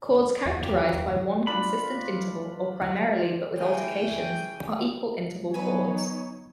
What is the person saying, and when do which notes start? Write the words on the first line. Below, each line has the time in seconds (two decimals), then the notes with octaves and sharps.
Chords characterized by one consistent interval, or primarily but with alterations, are equal-interval chords.
0.46 E2
0.63 A#3 G4
0.93 E2 G5
1.47 D4 F4 B5
3.56 C#3 E3 G#4 G5 G#5
5.54 F#3 B3 D#4 B4 C#5 G#5